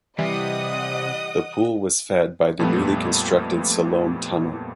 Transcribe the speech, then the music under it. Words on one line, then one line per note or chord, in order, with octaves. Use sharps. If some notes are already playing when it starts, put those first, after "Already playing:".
The pool was fed by the newly constructed Siloam tunnel.
C3 E3 G3 D#5 F#5 D#6
F2 A#2 G3 A3 B3